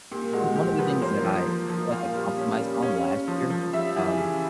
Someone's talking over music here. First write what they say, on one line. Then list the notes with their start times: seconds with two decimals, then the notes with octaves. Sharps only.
one one of the things that I I felt like I compromised on last year- um,
0.11 A#2 G4
0.33 G#3 F#4
0.56 G#3 G4
0.79 F3 B4
1.02 A#3 C5
1.25 F3
1.47 F3
1.70 F3
1.92 A#2 F5
2.15 G3
2.37 C#4
2.60 G3
2.82 C#4
3.05 C#4
3.28 F3
3.50 F3
3.73 G3 E5
3.96 E3
4.18 C#3